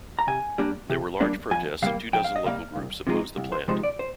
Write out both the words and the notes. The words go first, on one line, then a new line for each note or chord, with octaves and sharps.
There were large protests and two dozen local groups opposed the plant.
A#5
C3 G#5
G3 A#3 D4
C3
G3 A#3 D4
F2 G#5
C3 G3 A#3 F5
F2 G5
F5
D#5
C3 G3 A#3 F5
C2
C3 F3 G#3 D#4
C2
C5
C3 F3 G#3 D#4 C5
D5
C5